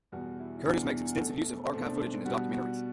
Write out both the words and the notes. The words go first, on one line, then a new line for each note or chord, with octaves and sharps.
Curtis makes extensive use of archive footage in his documentaries.
E2 B2 G3 F#4
E4
E4
E2 B2 G3 D4
B2 A3
B2 A3 C4
D4
D4
D4
B2 G3 F#4
F#4